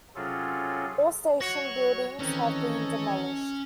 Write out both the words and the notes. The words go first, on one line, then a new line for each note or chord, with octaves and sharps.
All station buildings have been demolished.
C3 F#3 C#4 F4 G#4 A4
F#3 F#4 C#5 A#6 C#7
D#3 E3 C4 C#4 A4 C#5 D#5